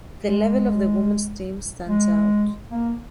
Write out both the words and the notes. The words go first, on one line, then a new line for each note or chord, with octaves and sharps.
The level of the women’s teams stands out.
G#3
G#3
A#3